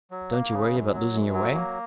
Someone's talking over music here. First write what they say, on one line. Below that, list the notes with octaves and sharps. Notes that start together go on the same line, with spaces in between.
"Don't you worry about losing your way?"
F#3
A#3
C#3
F#2
F#3
F#2
F#3
A#3